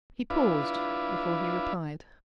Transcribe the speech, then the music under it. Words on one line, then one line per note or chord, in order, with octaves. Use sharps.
He paused before he replied.
D4 E4 F4 B4